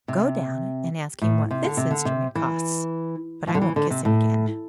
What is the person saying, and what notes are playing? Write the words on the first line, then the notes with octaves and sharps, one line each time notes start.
Go down and ask him what this instrument costs; but I won't kiss him again.'
C3
A2
C3
D3
C3
D3
C3
E3
F3
D3
E3
D3
C3
A2